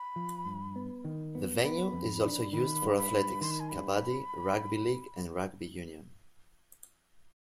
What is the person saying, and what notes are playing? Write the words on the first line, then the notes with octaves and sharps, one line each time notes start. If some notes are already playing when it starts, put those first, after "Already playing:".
The venue is also used for athletics, kabaddi, rugby league and rugby union.
Already playing: B5
F3
G2
B3
D#3
B3
B3 B5
F2
D4
D#3 B5
G2
B5
G2
D#3 C6
B5
G#5
G2 B5